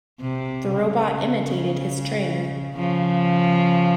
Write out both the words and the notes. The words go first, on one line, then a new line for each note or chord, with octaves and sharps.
The robot imitated his trainer.
C3
C#3
C#3 F3